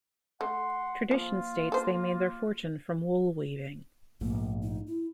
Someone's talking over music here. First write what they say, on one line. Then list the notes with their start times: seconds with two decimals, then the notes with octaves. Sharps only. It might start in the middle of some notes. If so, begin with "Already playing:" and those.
Tradition states they made their fortune from wool weaving.
0.41 A3 F#5 C6
1.11 F3 A#3 F4
1.72 A4 C5
4.21 A#1 G#2 A3 A#3
4.62 D#4
4.87 E4